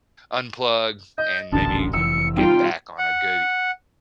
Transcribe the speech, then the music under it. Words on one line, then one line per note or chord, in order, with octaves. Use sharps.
unplug and maybe you can get back on a good
D#5 G6
D#1 A1 F#2 D3 A5
F1 E3 E6 C#7
C3 D#3 G3 F4 G5
F#5